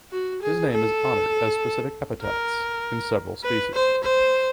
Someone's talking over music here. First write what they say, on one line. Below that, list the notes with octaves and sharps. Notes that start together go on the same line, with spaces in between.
His name is honoured as specific epithets in several species.
F#4
G#4
A4
A#4
B4
C5
C5